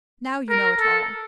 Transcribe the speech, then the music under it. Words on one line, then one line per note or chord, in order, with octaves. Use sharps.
Now you know it all.
A#4
A4